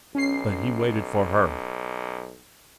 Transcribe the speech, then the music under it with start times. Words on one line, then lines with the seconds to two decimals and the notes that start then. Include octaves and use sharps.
But he waited for her.
0.15 B1 C#4 C7